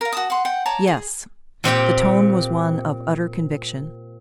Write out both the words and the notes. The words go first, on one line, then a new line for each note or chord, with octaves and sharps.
"Yes." The tone was one of utter conviction.
A#4 F5
F#4 A5 D#6
F#5 C6
F#5 G5
C#5 D5 A5 A#5
G#4
A#2 C4 G4 G5